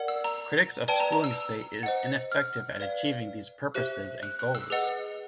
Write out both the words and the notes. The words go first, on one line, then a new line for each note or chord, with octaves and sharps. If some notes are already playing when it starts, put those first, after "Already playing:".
Critics of schooling say it is ineffective at achieving these purposes and goals.
Already playing: A#4 D5 F#5
E6
A#5
B4 D5 G5 A5
A#5
A#5
E6
C5 D#5 F#5
F6
B4 D5 F5
G4 C5 E5 F#6
F#6
F#6
E6
G#4 B4 D#5 F#5